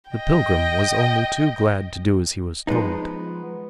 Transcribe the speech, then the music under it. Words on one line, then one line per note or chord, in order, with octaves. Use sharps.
The pilgrim was only too glad to do as he was told.
D#5 G5
F3 G#3 B3 D#4